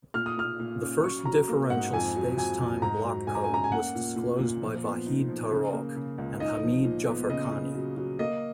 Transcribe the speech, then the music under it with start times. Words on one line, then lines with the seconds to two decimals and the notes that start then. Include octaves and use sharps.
The first differential space-time block code was disclosed by Vahid Tarokh and Hamid Jafarkhani.
0.14 A#2 F6
0.26 D#6
0.37 A#2 F6
0.60 A#2
0.82 C#4
1.04 F#3 C#6
1.25 F#3 A#5
1.49 A#3
1.70 G#2 F#5
1.93 F2 G#5
2.16 F#3
2.37 F2 G#5
2.60 F2
2.82 G#2 A#5
3.05 F#3
3.27 G#2 G#5
3.35 A#5
3.44 G#5
3.50 C#4 A#5
3.64 G#5
3.72 A#3 F#5
3.95 A#2
4.16 A#2
4.39 A#2
4.62 F3
4.84 B3
5.06 D#4
5.28 F3
5.51 C#3
5.73 A#3
5.96 C#3
6.18 C#2
6.40 D#4 D#5
6.63 F3
6.85 A#2
7.07 B3
7.29 C#3 D#5
7.52 C#3
7.75 F#3
7.97 F#3
8.19 A#3 D#5